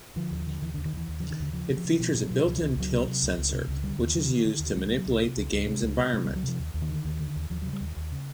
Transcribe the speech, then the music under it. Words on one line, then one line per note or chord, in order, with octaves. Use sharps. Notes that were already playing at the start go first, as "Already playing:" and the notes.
It features a built-in tilt sensor, which is used to manipulate the game's environment.
D3 F3
D#2
D3
D#2 E3
D#2 D3
D#3
D#2 E3
D#2
C#3 F3
D#3
D#2 D3
C#3 F3
C#3
F3
C#3
B2 F3
B2
F#3
B2
C#2 F3
C#2 E3
C#2 F#3
C3
C3
C#2
C#2
C3
C#2
D3 G3
D#2
D3 F#3
D3 D#3
D3
D#2
C#2 G#3
C3 G3
F#3
C#2
C3
C#2
C#2
C3 G#3
C#2
C3
C3 A3
C#2 G3
F#3
C3 F3
D#2
D#2
D#3
D3
D#2
D3
D#2
D#2 F3
C#3 F#3
G3
D#2
D#2
C#3